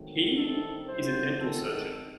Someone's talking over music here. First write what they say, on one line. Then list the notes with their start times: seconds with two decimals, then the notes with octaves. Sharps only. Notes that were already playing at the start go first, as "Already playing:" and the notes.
He is a dental surgeon.
Already playing: G#2 D#3 F#3 A3 C4
0.35 C2 C3 D#3 A4
0.87 C2 C3 F#3 C4 C5
1.38 G#1 F#2 D#3 A4